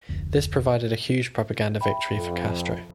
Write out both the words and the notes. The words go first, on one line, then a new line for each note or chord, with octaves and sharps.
This provided a huge propaganda victory for Castro.
F1 D2
E5 G5 B5
F2